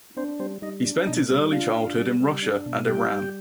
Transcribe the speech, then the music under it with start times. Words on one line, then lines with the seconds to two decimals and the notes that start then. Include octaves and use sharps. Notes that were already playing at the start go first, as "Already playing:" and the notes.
He spent his early childhood in Russia and Iran.
0.17 C4 D4 C5
0.39 G3 C4 C5
0.62 G3 D#4 D#5
0.85 D4
1.07 B2 D#4 D#5
1.30 G3
1.52 D4 F4 F5
1.75 D4
1.97 G3
2.21 G3
2.42 D4
2.66 B2
2.89 G3 G4 G5
3.11 G3